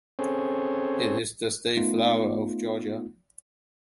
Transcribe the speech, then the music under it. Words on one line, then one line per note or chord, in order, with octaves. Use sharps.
It is the state flower of Georgia.
C4 C#4 G#4 A4 C5 C#5
A3 B3 D#4 F4